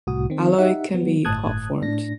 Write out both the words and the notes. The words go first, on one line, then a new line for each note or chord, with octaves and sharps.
Alloy can be hot formed.
C2 A2 F#4 D#6
D#3 C4
D#4 G4 E5 F#5
F#3 B3
G1 A2 A5 D#6 F#6 G#6
A2 D4 A#6